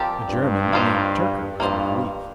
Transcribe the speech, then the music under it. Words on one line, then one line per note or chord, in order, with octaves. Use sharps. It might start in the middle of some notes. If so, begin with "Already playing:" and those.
A German, named Tyrker, was with Leif.
Already playing: F3 C4 G4 A#4 D5
G2
A#3 F4 C5 D#5
G2 A#3 F4 C5 D#5